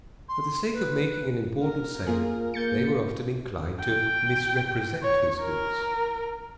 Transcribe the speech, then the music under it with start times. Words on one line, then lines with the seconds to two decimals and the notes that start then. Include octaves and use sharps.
For the sake of making an important sale they were often inclined to misrepresent his goods.
0.29 C6
0.73 B4
1.60 A#4
2.07 A#3 F4 G#4
2.54 A#3 G6 A6 C#7
3.81 G5
5.03 C#5
5.41 A#4